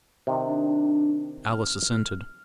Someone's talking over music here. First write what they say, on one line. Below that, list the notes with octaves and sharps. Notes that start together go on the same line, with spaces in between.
Alice assented.
C3 D#3
D4
F6